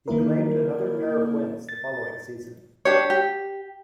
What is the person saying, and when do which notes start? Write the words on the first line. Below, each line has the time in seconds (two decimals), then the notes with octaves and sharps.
He claimed another pair of wins the following season.
0.08 D#3 A#3 E4 A#4
1.69 A6
2.85 D4 G4 C#5
3.10 G4